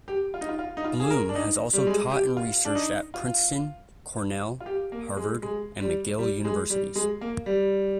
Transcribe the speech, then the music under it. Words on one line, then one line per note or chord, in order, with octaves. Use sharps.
Bloom has also taught and researched at Princeton, Cornell, Harvard, and McGill Universities.
G4
F4
D#4
F4
F4
D#4
F4
G#4
A#4
D4
D#4
G3
G#3
G4
F4
D4
D#4
F4
F4
G4
A#3
G#3
G#3
G3
G3
G#3
G3
G#3
A#3
G3